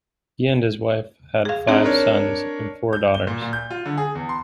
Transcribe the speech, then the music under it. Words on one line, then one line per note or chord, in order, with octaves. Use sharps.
He and his wife have five sons and four daughters.
G#4 F5
C4 D4 D#4 G#4
D4 A#4 C#5
G6
G7
A#2
A#2
G6
F4
D3
G#4
E2
C6